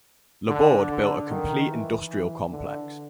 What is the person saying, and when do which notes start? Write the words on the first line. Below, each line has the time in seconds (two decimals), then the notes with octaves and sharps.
Laborde built a complete industrial complex.
0.48 D3
0.89 D3
1.29 D#3
1.70 E3
2.10 E3
2.51 D3